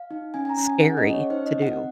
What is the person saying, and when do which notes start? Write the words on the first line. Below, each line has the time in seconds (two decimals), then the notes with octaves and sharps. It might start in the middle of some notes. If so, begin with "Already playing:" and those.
scary to do,
Already playing: F5
0.11 D#4
0.34 C#4 G#5
0.45 G#5
0.49 A#5
0.58 C#4
0.66 G#5
0.82 G#4 F#5
0.97 D#5
1.05 C#4
1.13 C#5
1.30 D#4 C5
1.46 D#5
1.54 C4
1.62 F#5